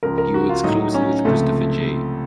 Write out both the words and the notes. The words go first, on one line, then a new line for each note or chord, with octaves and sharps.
He works closely with Christopher J.
C#2 C#3 F3 A#4
A#4
F#4
F4
A2 F#3 D#4
C#4
C#2 C3 F3 A3